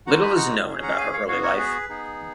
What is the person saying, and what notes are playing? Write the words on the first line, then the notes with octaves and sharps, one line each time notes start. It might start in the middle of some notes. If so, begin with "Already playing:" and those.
Little is known about her early life.
G#3 D#4 F#4 F#5 A#5
G#5 B5
F#5 A#5
C#4 G#4
F#5 A#5
F5 G#5
C#5 F5
B3 F#4 C#5 F5
A#4 C#5
G#4 B4
B3 D#4 G#4